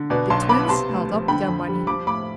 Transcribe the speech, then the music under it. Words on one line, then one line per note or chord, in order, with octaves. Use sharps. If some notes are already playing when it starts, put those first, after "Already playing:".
The Twins held up their money.
Already playing: D3
B2 B4 D5
B1 A5 C6
B3 B5 D6
C3 A5 C6
D2
F3
D3 G5 B5
F2
G3
F3 B5 D6
A2 B5 D6